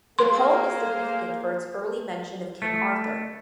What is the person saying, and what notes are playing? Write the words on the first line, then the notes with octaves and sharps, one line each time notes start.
The poem is significant for its early mention of King Arthur.
A#3 G#4 C5 F5 C6
A3